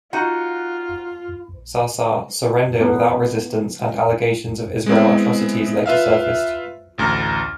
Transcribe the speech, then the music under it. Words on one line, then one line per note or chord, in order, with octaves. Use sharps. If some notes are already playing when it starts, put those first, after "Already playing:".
Sa'sa' surrendered without resistance and allegations of Israeli atrocities later surfaced.
D#4 F4 F#4 F#5
B3
G#3 B3 C4 E4
F4 B4 E5 F5
A1 D2 A#5 F6